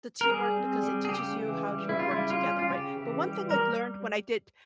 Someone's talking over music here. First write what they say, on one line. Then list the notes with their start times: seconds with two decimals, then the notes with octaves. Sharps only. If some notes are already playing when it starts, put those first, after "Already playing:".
the teamwork because it teaches you how to work together, right? But one thing I've learned when I did
0.21 A#4
0.29 G3 G#4
0.57 C4
0.83 G3
1.05 G#4
1.09 C#3 G4
1.36 E3
1.64 G3
1.89 C#3 E4
1.99 F4
2.11 E4
2.16 G3
2.30 F4
2.43 C#4
2.59 F4
2.69 C#3 G4
2.97 E3
3.23 G3
3.51 G3 A#4